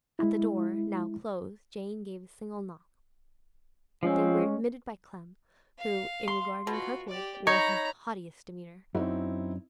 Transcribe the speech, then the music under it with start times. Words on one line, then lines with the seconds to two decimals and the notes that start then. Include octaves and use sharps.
At the door, now closed, Jane gave a single knock; they were admitted by Clem, who, in regarding Kirkwood, wore her haughtiest demeanour.
0.19 G#3 E4
4.03 F3 G#3 C4 C#4
5.78 F5
6.28 C6
6.67 B2 F4 F#4
7.08 G4 D5
7.47 D#4 C#5 A#5 B5
8.95 F#2 C4 D#4 E4